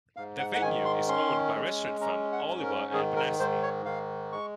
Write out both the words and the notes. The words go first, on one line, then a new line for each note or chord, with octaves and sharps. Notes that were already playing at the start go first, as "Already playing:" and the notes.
The venue is owned by restaurant firm Oliver and Bonacini.
G#2 F5
F#5
F#5
D#3 G#5
C6
C#4 C6
G#3
C#4 A#5
F#5
G#2
A#4
D#3 G#4
A#4
G#2 C5
C#5
D#3 F5
G#3 C#6